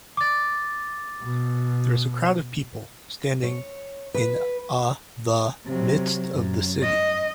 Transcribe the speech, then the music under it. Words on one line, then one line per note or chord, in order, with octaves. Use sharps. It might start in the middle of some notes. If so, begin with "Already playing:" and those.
There is a crowd of people standing in a the midst of the city.
D6 A6
B2
C#5
B4
C3 F#3
F#2
D#5